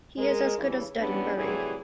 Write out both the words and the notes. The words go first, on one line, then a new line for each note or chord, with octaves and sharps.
He is as good as dead and buried.
G#3 A#4
G2 C#3 E3
E3 G3 B3 C#4 D4
A2 C3 E3 F#3 G3 G#4